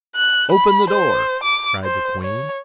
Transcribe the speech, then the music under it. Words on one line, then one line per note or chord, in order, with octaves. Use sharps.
"Open the door!" cried the queen.
F#6
B5
C5
D6
C5
C#5